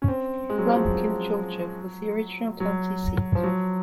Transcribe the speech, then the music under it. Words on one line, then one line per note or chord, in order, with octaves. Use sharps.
Lumpkin, Georgia was the original county seat.
C#4
C4
G#3
F#3
F3
F#3
F#3
F3
F#3